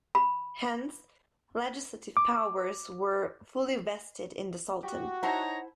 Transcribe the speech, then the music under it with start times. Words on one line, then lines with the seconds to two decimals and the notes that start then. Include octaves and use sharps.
Hence, legislative powers were fully vested in the Sultan.
0.15 B5
2.17 D6
4.83 F#4 G4
5.23 D#4 E4 C5 C#5 F#5 A5 A#5